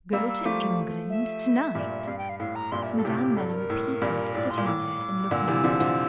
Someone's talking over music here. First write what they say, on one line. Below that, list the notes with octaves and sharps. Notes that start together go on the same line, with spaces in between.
"Go to England to-night!" Madame Merle repeated sitting there and looking up at her.
G3 A#3 E6
E6
F3 A3 D6
E5
G2 A#2
G2 F5
G5
F5
A2 F5
A#5
G2 A#2 C6
E5
A4
A2 C3 G4
G2 A4
A#4
A2
G2 A#2
A2 D5
C6
A#2
A2 D6
A#2 D3 E6
C3 E3
D3 F3
D3 F3